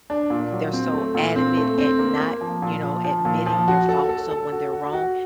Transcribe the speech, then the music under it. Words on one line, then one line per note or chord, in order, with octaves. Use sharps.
they're so adamant at not, you know, admitting their faults, so when they're wrong,
D4
A#2
F#3
C4
A3
A#2
C4
A3
C4
A#3
A#3
F3
A#2
F3
F3
A#2
F3
F#4
A4
A4
A4
F#4
F#4
F#4